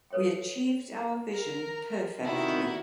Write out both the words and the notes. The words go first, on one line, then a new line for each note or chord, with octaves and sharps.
We achieved our vision perfectly.
A4 B4 C#5 E5 G5
A#4
C3 D#3 E4 F#4 D5